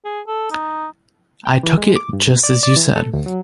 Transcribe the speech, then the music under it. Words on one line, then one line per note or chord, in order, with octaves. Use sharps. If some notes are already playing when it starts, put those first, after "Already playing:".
I took it just as you said.
G#4
A4
D#4
G5
E3
G#3
D6
G2
B2
D5
D5
E3
A4
D2
F#3